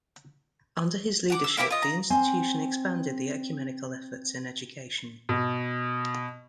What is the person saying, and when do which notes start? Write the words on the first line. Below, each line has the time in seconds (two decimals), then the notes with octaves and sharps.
Under his leadership the institution expanded the ecumenical efforts in education.
1.30 F#5 D6
1.44 E6
1.57 A#3 E4 G4 D6
1.70 F4 D#5
1.83 A#5
2.10 C4 G#5
5.29 B2